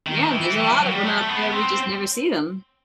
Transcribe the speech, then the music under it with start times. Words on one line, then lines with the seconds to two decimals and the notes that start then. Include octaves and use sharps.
Yeah, there's a lot of 'em out there, we just never see them.
0.07 D#3
0.32 E3
0.55 G3
0.68 E3
0.80 F#3
0.91 G3
1.04 A3
1.29 B3
1.52 C4